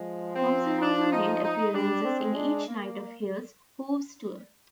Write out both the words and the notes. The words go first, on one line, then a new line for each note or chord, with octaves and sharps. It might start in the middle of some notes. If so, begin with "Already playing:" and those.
Thompson also made appearances in each night of Hill's "Hooves" tour.
Already playing: F3 G#3
C4
D4
D#4
D#4
G3 D4
C4
G#3
D4
A#3